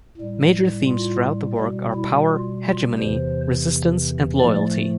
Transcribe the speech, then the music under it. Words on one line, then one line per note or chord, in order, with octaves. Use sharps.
Major themes throughout the work are power, hegemony, resistance and loyalty.
A2 G3
F4
B2 G3
E4
F4
F4
E2 C3 E3 C5
A2 F3 A3 D5